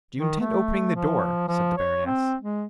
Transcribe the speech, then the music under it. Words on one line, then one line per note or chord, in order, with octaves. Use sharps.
"Do you intend opening the door?" said the baroness.
D#3
A3
F3
F3
C#5
C4
G#3